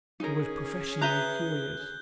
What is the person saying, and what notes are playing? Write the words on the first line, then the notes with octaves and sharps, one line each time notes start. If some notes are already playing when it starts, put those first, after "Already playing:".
He was professionally curious.
C#4 D#4 G#4 A#4
B4 E5 A#5 F#6 G6 G7